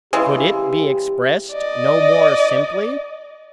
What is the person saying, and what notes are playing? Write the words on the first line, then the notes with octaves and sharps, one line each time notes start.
Could it be expressed no more simply?
C#3 E3 G#3 G4
D5 D#5